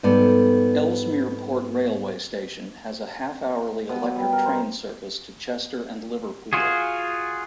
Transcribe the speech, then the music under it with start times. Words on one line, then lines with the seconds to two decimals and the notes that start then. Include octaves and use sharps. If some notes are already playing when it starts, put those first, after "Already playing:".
Ellesmere Port railway station has a half-hourly electric train service to Chester and Liverpool.
0.03 G#2 G3 B3 A4 D5
3.89 B2
4.02 F#3
4.16 G3
4.33 A#4
4.46 C5
6.53 F4 F#4 G#4